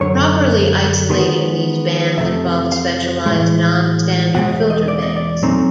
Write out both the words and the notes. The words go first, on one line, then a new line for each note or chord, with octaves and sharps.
Properly isolating these bands involves specialized non-standard filter banks.
F#2 D3 F#3 C#5
D#3 G#3 B3
F2 C3 F3 A3 E5
F5
A2 E3 G#3
E2 B2 G#3 F#5
F5
D#5
D5
D#5
D5
A#2 F#3 A3 C4 D#4